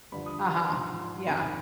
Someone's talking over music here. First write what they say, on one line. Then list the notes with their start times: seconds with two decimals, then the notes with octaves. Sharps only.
Uh-huh, yeah.
0.12 G2 D3 F3 B5
0.26 D#6
0.69 G#2 F3 C6
1.27 F2 C3 D#3 B5
1.41 G#5